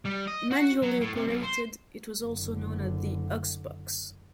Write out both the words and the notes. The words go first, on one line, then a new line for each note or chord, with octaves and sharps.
Manually operated, it was also known as the Ox Box.
G3
D#5
F#4
F#3
A2
C3
B1
C5
F#1 D3